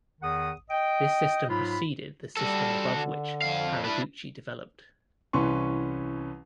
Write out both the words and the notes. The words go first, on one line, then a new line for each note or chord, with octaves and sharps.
This system preceded the system above which Haraguchi developed.
E2 D#3 F#5 D#6
D#5 G5
G#2 F#3 F4 B5
G3 F#4 A4
D3
F2 F5
D4 E4 B4
C2 E3 C#4 B4 C6 C#6